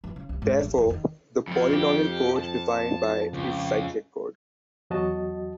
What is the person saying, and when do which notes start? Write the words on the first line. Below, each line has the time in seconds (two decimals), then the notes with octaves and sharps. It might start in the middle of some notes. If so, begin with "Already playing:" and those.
Therefore, the polynomial code defined by is a cyclic code.
0.04 E3
0.16 C#3
0.29 C2
0.42 G#2
0.61 A1
0.78 F2
0.90 D#3
1.47 F2 F3
1.73 G4
2.36 A5
3.33 C#2
4.90 E2 F#3 F#4 D#5 A5